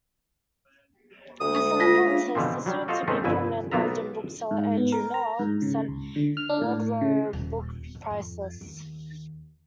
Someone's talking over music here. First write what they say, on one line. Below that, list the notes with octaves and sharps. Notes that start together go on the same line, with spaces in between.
As an apprentice, the soon-to-be prominent London bookseller Andrew Millar sent Wodrow book price-lists.
D2 G#3 A#3 E5 D#6
F4 A#6 B6
C#3 A3 D4 F5
B2 D3 E3 F3 C4
F#3 G3
F4 F#4 A4 C5 D#5 F5
G#3 A3 C4 C#4 D#4 A4
G1 C2 F2 E4 B4 G#5
B1 A#3 B3 F4 E5 A#5
G#2
B3
A#4
A#5
G#2
C#3
C#2
D3
F6
D4
A2
C#3
D#1
G#2
F2
D#2